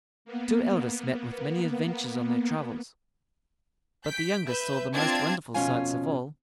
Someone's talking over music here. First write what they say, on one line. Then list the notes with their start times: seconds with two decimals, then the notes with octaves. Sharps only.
The two eldest met with many adventures on their travels, but the youngest saw the most wonderful sights of all.
0.25 A#3 B3
4.07 G6 B6 D7
4.47 B4 E5 G6
4.94 C4 D4 F4 A5 G#6
5.54 F2 B2 C#4 F4 F5 G#5